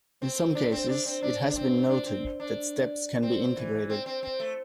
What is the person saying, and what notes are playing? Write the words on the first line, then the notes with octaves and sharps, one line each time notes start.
In some cases, it has been noted that steps can be integrated.
C4
D4
C4
D4
C4
D4
D4
C4
D4
C4
D4
C4
E3
C4
C4
C4
A3